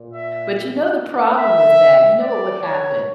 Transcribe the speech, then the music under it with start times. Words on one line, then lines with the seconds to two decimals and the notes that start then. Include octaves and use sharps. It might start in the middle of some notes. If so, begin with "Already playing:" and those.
but you know the problem with that, you know what would happen,
Already playing: A#2
0.14 E5
1.38 E5
2.20 D5
2.61 C#5